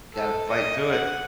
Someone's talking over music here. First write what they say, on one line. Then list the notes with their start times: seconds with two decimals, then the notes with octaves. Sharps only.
you gotta fight through it.
0.14 A4
0.49 D#5
0.91 F#5